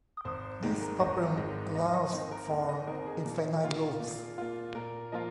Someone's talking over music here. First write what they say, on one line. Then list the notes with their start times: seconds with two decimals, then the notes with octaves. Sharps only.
This problem allows for infinite loops.
0.25 G#1 C5
0.44 C5
0.62 G#2 D#3 G#3 A#4
0.81 A#4
1.00 G#1 D#5
1.37 G#2 D#3 G#3 D#5
1.75 D#2 D#5
1.94 D#5
2.13 D#3 C4 D#5
2.31 A#4
2.50 D#2 A#4
2.69 D#5
2.87 D#3 C4 A#4
3.06 G#4
3.25 A#2
3.63 A#3 F4
4.00 A#2
4.38 A#3 F4
4.75 A#2 A#4
5.12 F3 A#3 F4 D#5